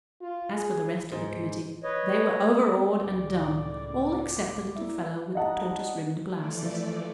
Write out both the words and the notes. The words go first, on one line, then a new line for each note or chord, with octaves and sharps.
As for the rest of the committee, they were overawed and dumb, all except the little fellow with the tortoise-rimmed glasses.
F4
G#4
G#2
B4 C#5 D#5
C#2 A2 D5
E4 E5
G3 D#4 D#5 F#5 A5
E3 F3 A3 D5